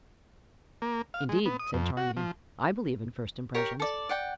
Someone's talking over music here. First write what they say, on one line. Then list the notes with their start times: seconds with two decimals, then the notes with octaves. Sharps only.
"Indeed," said Charmian, "I believe in first impressions."
0.82 A#3
1.14 F5
1.29 G#3
1.46 B3
1.59 D#6
1.74 F2
1.97 F#4
2.17 F3
3.54 G4 A#4 C#5
3.80 A4 D5
4.09 D5 F#5 G5